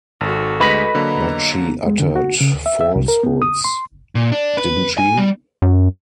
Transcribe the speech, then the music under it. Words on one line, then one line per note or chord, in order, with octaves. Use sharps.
But she uttered falsehoods, didn’t she?
G#1 F#4 A4
D2 G#3 B4 D#5 B5 B6
D3 F#3 A#3 A#5
G#3
D3
F#4
C#3
D2
E5
E5
C2
A#4
B3
D#6
C6
A#2
D4
B4
G#5
G3
F#2